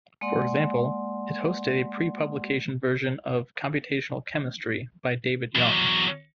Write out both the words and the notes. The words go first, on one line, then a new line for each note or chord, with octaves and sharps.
For example, it hosted a pre-publication version of "Computational Chemistry" by David Young.
G#3 A#3 D5 F#5 C6
E2 F#3